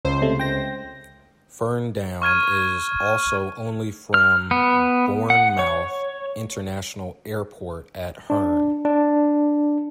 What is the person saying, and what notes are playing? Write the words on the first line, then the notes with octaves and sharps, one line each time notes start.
Ferndown is also only from Bournemouth International Airport at Hurn.
C#2 C5
C3 A3
G5 A#6
C#6 F6 G#6 D#7
F6
B3
F#5
C#5
D4
D4